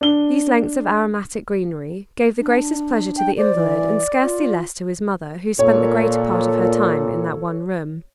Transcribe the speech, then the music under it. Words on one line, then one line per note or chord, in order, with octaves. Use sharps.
These lengths of aromatic greenery gave the greatest pleasure to the invalid, and scarcely less to his mother, who spent the greater part of her time in that one room.
D4 G7
D4
G5
C5 D5
E3
F4
A#2 A4 C#5